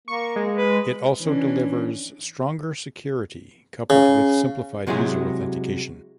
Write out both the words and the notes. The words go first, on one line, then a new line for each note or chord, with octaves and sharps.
It also delivers stronger security coupled with simplified user authentication.
A#3 C#6
G#3
B4
E3 C#4 D4
C#3
C3 F#3 G#3 E4 G#4